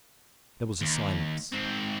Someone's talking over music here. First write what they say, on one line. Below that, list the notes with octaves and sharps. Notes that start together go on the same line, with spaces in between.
There was a silence.
D#2
G#2 C4